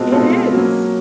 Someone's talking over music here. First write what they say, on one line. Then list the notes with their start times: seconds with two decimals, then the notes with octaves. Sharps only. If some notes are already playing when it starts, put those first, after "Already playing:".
It is.
Already playing: B2 G#3 C4 F4 A4
0.12 B2 G#3 C4 F4 A4
0.52 F#3 A#3 C#4